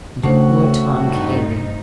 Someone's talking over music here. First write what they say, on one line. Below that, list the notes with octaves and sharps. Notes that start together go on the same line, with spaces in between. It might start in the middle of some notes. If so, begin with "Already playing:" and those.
And poor Tom Cayley!
A2 C#3 A3 D4 F#4 C5
G2 C3 D#4